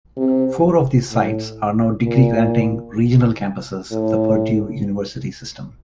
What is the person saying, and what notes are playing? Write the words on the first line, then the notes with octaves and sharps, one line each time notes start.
Four of these sites are now degree-granting regional campuses of the Purdue University system.
C3
A2
A#2
A2